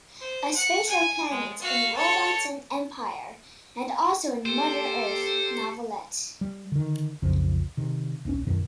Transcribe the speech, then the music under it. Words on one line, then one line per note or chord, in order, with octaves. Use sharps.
A Spacer planet in "Robots and Empire" and also in "Mother Earth" novelette.
C5
F#5
G#5
G#3
F#4 F5
A4 C#5
A#3 G4 A4 C5
G3
D3 D#3
B1 F2 C#3 F3
C3 D#3
D#1 B1 C4 C#4
F#2 B2 D#3 F#3